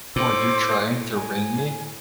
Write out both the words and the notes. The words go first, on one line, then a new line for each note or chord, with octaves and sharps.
Were you trying to ring me?
A2 C5 D6 E6
G#5